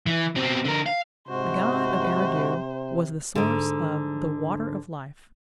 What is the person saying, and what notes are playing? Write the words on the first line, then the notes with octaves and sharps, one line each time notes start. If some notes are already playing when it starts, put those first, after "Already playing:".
The god of Eridu was the source of the "water of life".
E3
B2 C4
D3 A#4
F5
G#2 C3 G#3 F#4 C5
G#2 D3